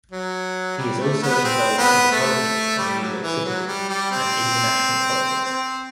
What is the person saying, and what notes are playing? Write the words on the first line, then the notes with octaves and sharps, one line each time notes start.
He is also involved in the politics of New York City and international politics.
F#3
G3
A3
B3
C4
B3
A3
G3
F#3
E3
F#3
G3
G3
C4
C4